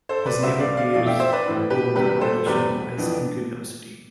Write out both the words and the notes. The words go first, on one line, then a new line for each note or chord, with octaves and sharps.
His neighbor peers over the partition twice in curiosity.
A4 C5
B4 D5
C2 B2 B3 C5 E5
D5 F5
D5 F5
F2 E3 A3 D5 F5
E5 G5
C5 E5
B4 D5
A2 E3 B3 D4
G4 B4
E2 C3 G3 G4 B4
A4 C5
E2 C3 G3 C4 B4 D5
F2 E3 B3 D4